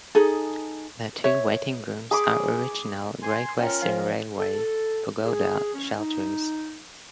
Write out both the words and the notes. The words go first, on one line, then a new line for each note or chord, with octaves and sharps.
The two waiting rooms are original Great Western Railway "pagoda" shelters.
D#4 G#4 A4
C#5 E5
G#4 B5 D6
G#5 C6
C#4 F4 A#4 C#5 G5
F3 C5
A4
G#4
C#4
D#4